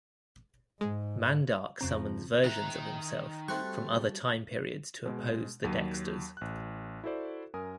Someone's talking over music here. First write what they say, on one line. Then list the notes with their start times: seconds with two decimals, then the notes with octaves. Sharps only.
Mandark summons versions of himself from other time periods to oppose the Dexters.
0.81 G#2 G#3
1.81 F2 C#3 F3 C4 A#5
2.44 D#3 E4 A#5 F#6
3.48 G3 A3 C4 F#4 A4 C#6 F#6
5.05 B2 G#3
5.64 D#2 F#3 D#7
6.37 A1 F#6
7.04 E4 F#4 A4 C5 D5
7.54 F#2 A#4 G#5 D#6